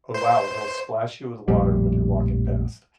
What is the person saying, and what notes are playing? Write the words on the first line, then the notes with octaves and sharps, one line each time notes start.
Oh, wow. He'll splash you with water when you're walking past.
C5
A#1 F2 A2 G3